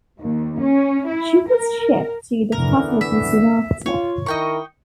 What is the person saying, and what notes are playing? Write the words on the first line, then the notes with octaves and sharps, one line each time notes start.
She was shipped to the facility soon after.
D#2
C#4
E4
A#4
D3 E3 B3 A#4
E5
F4 C#5
D#3 E4 A#4 D#5 G5 C#6